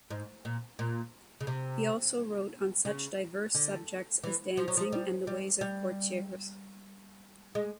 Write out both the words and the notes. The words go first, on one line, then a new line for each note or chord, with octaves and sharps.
He also wrote on such diverse subjects as dancing and the ways of courtiers.
G#2
A#2
A#2
C#3
C3
C#3
D3
E3
F3
F#3
F3
G3
G3
G3
G#3